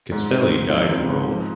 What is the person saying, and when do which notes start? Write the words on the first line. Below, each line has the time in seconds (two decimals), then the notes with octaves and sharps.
Castelli died in Rome.
0.12 G#2
0.31 C4
0.50 G#2
0.70 F3
0.89 C4
1.09 G#2
1.28 F3